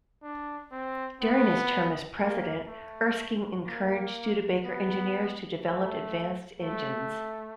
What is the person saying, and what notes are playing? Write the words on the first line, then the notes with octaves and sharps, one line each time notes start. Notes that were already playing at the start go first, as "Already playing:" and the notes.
During his term as president, Erskine encouraged Studebaker engineers to develop advanced engines.
D4
C4
B3
A#3
A3
A#3
B3
A3
A3